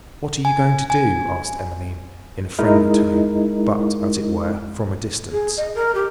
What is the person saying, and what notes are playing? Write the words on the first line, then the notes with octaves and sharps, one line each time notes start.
'What are you going to do?' asked Emmeline, in a friendly tone, but, as it were, from a distance.
G#5
G#5
G#3 D#4 E4 A#4
G#4
D#5
A#4
G4